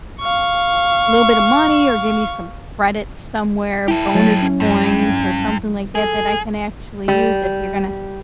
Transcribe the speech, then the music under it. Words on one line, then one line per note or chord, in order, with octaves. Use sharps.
little bit of money or give me some credit somewhere, bonus points, or something like that that I can actually use if you're gonna,
F5 C#6
E4 G4 A4
F#3 A6
C#4
G2
G#4 A4
G3